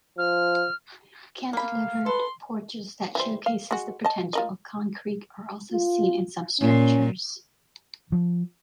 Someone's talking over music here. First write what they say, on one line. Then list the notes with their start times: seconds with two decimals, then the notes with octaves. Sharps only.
Cantilevered porches that showcases the potential of concrete are also seen in some structures.
0.18 F3 F6
1.53 A#3 F5 B5
2.06 A4 B4 C6
3.15 E3 G3 C5
3.46 F5
3.71 G#3 F#4
4.05 D#5 A5
4.33 F4 A#4 D#5
5.72 F4
6.60 A#2 C#4
8.12 F3